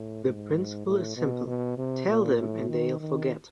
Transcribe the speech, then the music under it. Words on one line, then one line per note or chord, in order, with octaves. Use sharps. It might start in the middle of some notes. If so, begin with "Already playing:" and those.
The principle is simple: Tell them and they'll forget.
Already playing: A2
G#2
A2
B2
B2
C3
A#2
A2
D#3
D#3